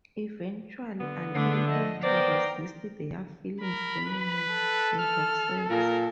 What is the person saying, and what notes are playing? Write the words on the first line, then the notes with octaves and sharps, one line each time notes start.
Eventually, unable to resist their feelings anymore, they have sex.
D3 B3
D3 A3 D4
F3 A3 D#5
B3 A#4 C5 D5 G5
A#4 B5
B4
A4
F6
A#2 A#4